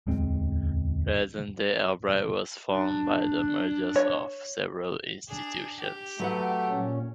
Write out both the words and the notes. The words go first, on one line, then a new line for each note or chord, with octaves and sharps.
Present-day Albright was formed by the mergers of several institutions.
D1 E2 G#3 C4
D4
C#5
D4 G#4
G4
F#3 A3 B4 F#5
A#2 C#4